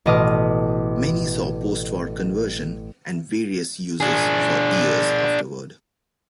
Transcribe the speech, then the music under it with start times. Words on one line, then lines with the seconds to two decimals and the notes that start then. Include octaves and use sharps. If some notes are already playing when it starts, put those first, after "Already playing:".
Many saw postwar conversion and various uses for years afterward.
0.06 A1 B2 D#5 D6 D#6 F6
4.00 D4 G#4